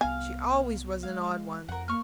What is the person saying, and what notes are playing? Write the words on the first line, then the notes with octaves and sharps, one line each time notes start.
She always was an odd one.
C2 B3 F5 G#5 F6
G#3 F5
F2 A#4 F#5
A#3 C#6 F6